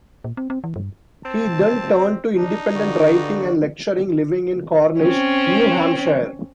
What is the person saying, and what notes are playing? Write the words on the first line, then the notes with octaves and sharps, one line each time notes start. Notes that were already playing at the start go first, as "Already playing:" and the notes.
He then turned to independent writing and lecturing, living in Cornish, New Hampshire.
A#2
C4
C4
E3
G2
C4 A5
D4 D#4
G2 D3 F#4 D5
C4 C#4